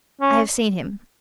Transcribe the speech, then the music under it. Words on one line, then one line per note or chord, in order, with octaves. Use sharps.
"I have seen him."
C#4